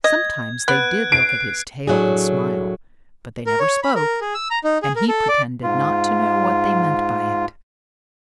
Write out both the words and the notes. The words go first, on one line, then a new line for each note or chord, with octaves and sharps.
Sometimes they did look at his tail and smile, but they never spoke, and he pretended not to know what they meant by it.
D#5 G#6
B3 F#6 D7
C7 D7
A2 F#3 D4 G#4
A#4
C#5
B5
A#4
G#4
E6
A#5
D#4
G#4
A#4
A4
D5
G#2 F4